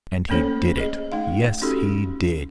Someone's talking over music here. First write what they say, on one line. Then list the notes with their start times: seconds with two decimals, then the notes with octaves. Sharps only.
And he did it; yes, he did!
0.29 A3 A#3 C#4 A4 C5 C#5
0.78 G#4 D#5
1.12 A3 D#4 F5
1.62 C#4 D#4 F#4 G4 A4